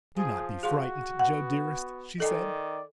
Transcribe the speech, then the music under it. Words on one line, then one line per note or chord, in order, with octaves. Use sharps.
"Do not be frightened, Joe dearest," she said.
F3 G#4
F#4 G#4 F5 C6
B3 F#5
D#3 A4 D5 D#5 G#5